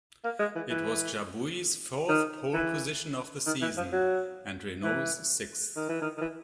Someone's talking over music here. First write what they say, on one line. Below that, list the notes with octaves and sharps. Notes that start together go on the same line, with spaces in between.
It was Jabouille's fourth pole position of the season, and Renault's sixth.
A#3
G#3
E3
E3
D#3
E3
D#3
E3
F3
F#3
E3
D#3
E3
D#3
D#3
E3